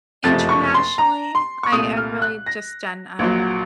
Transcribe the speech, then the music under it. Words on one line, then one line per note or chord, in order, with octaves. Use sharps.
internationally, I I really just done, um,
F#1 F2 C3 F3 A3 A6
C#6
C6
A#5
C6
C#6
C2 A#2 A3 D#6
F6
F#6
A#6
A#1 A#2 F#3